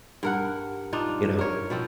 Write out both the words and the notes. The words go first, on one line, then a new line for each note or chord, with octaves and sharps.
You know,
G2 A#4 F#5
D4 D#4 F4
A#4 C#5
B2 F3 C4